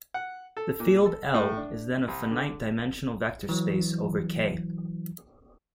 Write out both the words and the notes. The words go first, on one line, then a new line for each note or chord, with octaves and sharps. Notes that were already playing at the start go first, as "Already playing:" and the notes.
The field "L" is then a finite dimensional vector space over "K".
F#5
A4
A#2
A4
A2
D4
C2
D3
E3 F#3